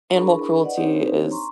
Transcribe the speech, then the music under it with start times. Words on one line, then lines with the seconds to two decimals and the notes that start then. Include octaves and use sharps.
animal cruelty is
0.13 D4 E4 G#4 A#4 B5 C#6
0.61 B4 D5 D#5 F#5
0.77 C4 D4 D#4 G4 C5 C#5
1.31 A#5 C6 C#6